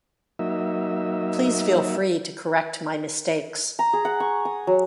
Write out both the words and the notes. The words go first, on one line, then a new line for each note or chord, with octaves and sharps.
Please feel free to correct my mistakes.
F#3 A#3 D#4 E5
A#5
G#4
F#5
C#6
D#6
F#3